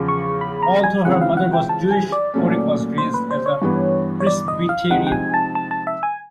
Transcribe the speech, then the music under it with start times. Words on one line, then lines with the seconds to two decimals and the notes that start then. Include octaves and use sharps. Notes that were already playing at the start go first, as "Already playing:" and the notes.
Although her mother was Jewish, Couric was raised as a Presbyterian.
Already playing: E2 C#3 F3
0.08 C#6
0.41 B5
0.63 A#5
0.84 G#5
1.05 C#3 E3 G#3 C4 F4 F#5
1.21 F5
1.37 F#5
1.53 G5
1.69 A5
1.91 G#5
2.12 D5
2.34 A#2 F#3 A3 C#4
2.98 C5
3.14 B4
3.31 C5
3.46 C#5
3.62 G2 E3 G3 B3
4.20 C#5
4.27 D5
4.48 D#5
4.69 F5
4.90 C3 F3 G#3 C4 D#4 F#5
5.07 G5
5.12 G#5
5.34 A5
5.55 A5
5.71 A5
5.87 E5
6.03 G#5